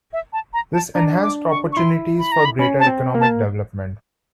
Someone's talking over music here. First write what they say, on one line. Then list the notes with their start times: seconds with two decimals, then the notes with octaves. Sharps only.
This enhanced opportunities for greater economic development.
0.13 E5
0.33 A5
0.53 A#5
0.74 A5
0.95 D4 A#5
1.23 D6
1.50 C#6
1.72 C#6
1.77 E4 C6
2.19 B5
2.32 A#5
2.45 B5
2.59 C#4 B5
2.80 A5
2.87 C4
3.14 A#3
3.21 A5